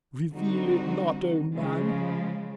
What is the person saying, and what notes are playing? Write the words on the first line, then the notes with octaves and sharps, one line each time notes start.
Reveal it not, oh Man!
D3 G3 C4 D#4 F#4
C#3 F3 G#3